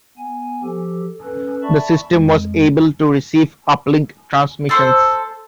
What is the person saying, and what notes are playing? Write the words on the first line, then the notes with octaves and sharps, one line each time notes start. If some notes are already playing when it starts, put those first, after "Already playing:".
The system was able to receive uplink transmissions.
B3 G#5
F3 G4 A4
C#4 A4 B4
D5 E5 A5 B5 C#6
F2 G#3
A4 C5